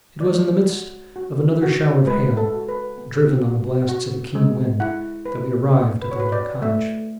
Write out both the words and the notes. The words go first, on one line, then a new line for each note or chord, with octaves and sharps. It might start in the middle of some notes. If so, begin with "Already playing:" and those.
It was in the midst of another shower of hail, driven on the blasts of a keen wind, that we arrived at the little cottage.
D5
G#3 C#5
F#4
F#4
F#4
G#3 B4
A4
F#4
B4
B3
F#4
F#4
G#3
E4 F#5
E4 B4
D4
B4
C#5
F#4 B4
D5
A3 E5